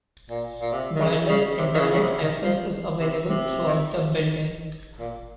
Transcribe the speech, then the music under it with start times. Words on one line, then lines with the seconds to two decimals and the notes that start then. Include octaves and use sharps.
Wireless Internet access is available throughout the building.
0.30 A#2
0.61 A#2
0.72 C3
0.96 D#3
1.02 C#3
1.29 C#3
1.58 C3
1.74 D#3
1.79 C#3
1.91 C#3
2.01 C3
2.22 D#3
2.43 F3
3.00 C3
3.28 C3
4.99 A#2